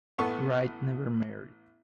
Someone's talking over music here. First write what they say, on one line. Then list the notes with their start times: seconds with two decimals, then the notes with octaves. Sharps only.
Wright never married.
0.18 A1 B3 A4 C#6